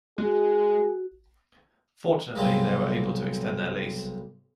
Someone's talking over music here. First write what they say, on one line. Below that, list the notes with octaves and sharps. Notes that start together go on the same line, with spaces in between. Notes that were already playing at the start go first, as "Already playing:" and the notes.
Fortunately, they were able to extend their lease.
G#3 F#4 G#4
B1 C3 G3 G#3 A#3